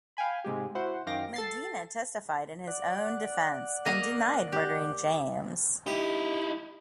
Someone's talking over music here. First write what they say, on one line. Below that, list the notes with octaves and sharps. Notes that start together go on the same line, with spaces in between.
Medina testified in his own defense and denied murdering James.
F5 G5 G#5 B5
G#2 C3 G#3 G4
E4 F#4 C5 F#5
F#2 D#3 F5 G5 D6 A#6
A4 A6 C7
D5 F#5
A#3 D#5 F5
G4
D#4 E4 G4